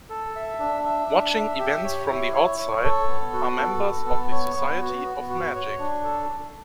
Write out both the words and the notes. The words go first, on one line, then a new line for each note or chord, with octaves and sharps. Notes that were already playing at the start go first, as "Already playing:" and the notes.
Watching events from the outside are members of the Society of Magic.
A4
E5
D4
E5
D4
E5
G4
C#5
E4
C#5
C#5
A4
B3
F#4
A4
B3
B3
C#5
B3
F#4
B3
F#4
C#5
D4
A4